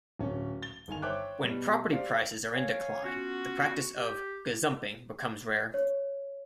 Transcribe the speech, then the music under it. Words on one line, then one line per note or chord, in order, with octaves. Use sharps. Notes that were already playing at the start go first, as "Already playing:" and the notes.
When property prices are in decline the practice of gazumping becomes rare.
D1 C#4
A6 G7
G1 D#3 G#5 F7
C5 C#5 E5 G5 D6 F#6
B2 G3
G4 C5 D5 F5
C#5 F5 G#5
B3 C#4 F4 F#4
G4
C#5